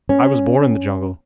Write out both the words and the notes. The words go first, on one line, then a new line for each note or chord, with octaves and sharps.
I was born in the jungle.
C#4